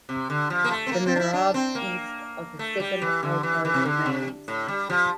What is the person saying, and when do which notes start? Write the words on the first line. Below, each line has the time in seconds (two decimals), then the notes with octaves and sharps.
The mihrab east of the second alcove remains.
0.09 C3
0.30 D3
0.50 F3
0.64 A#3
0.71 A3
0.86 C4
0.92 A#3
1.06 C4
1.16 D4
1.19 E4
1.33 D4
1.54 C4
1.75 A#3
2.59 A3
2.80 G3
3.02 E3
3.23 D3
3.43 E3
3.65 E3
3.74 C3
3.86 D3
4.06 C3
4.48 A2
4.68 G3
4.90 F3